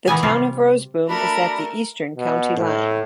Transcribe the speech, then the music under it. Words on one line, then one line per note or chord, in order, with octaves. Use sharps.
The Town of Roseboom is at the eastern county line.
A#2 E3 B3 G#5
C3 G3 F4
A3 D4 F#4 A#4 B5
B2
A2